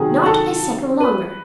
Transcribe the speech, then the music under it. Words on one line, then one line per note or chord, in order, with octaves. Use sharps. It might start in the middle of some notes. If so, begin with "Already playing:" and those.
"Not a second longer."
Already playing: C3 D#3 F#3 G#4
A4
B4